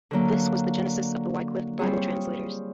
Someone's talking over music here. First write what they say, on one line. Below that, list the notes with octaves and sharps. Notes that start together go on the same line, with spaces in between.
This was the genesis of the Wycliffe Bible Translators.
D3 F#3 A#3
G3 C4 F4 G#4 C#5